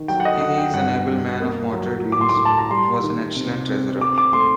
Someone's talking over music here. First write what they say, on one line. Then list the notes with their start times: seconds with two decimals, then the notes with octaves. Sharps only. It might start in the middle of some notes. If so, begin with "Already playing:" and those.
Innes, an able man of moderate views, was an excellent treasurer.
Already playing: D#3
0.08 F#3 G5
0.20 F#5
0.25 D#5
0.41 D3 F#5
0.58 G5
0.74 G2 F#5
1.07 G2
1.40 A#3
1.73 F#3
2.05 A2
2.12 D6
2.21 C6
2.29 D6
2.37 A2
2.45 A5
2.58 A#5
2.71 G3 C6
3.03 D#3
3.36 C3
3.69 C4
4.01 C4 D6
4.18 D6
4.33 A3 C6